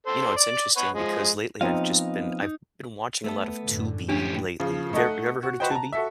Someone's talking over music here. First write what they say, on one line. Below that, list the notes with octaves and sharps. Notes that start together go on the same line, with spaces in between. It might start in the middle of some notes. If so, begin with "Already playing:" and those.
You know, it's interesting because lately I've just been I've been watching a lot of Tubi lately. Have you have you ever heard of Tubi?
A4 C5
D5 D6
B4 C#5 F#5
F3 G#3
F3 B3 C4 D#4 D#5 F5
D#4
A3 B3 A4
F#2 A2 D3
A2 D3 F3 C#4 D4 G4
C#3 F3
A3 D#4 A4 D#5 F#5
F#4
F#4 B4 C5 D#5 G5
A5 A#5
F#4 A4 E5